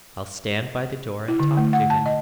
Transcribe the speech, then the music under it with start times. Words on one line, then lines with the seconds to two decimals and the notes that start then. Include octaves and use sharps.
'I'll stand by the door and talk to him.'
1.28 E4
1.40 D3
1.57 A3
1.73 F#5
1.90 A5
2.06 D#5